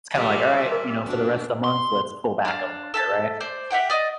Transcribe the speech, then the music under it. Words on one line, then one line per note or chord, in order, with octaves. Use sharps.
it's, kinda like, "Alright," you know, "for the rest of the month, let's pull back a little bit," right?
A#2 D#3 G3 A4 D5 E5 A5
A#4
A3 B3 D4 F#4
C6
D4 F5
A4 E5 A5
C5 D5
G4 E5 F#5 G5
D5 D#5